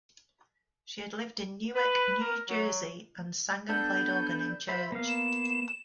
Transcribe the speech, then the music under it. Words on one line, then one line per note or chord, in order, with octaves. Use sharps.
She had lived in Newark, New Jersey, and sang and played organ in church.
B4
A#4
F#3
B3 D4 A4 G6
C5 E5 B5
A#3 B3 F5
E7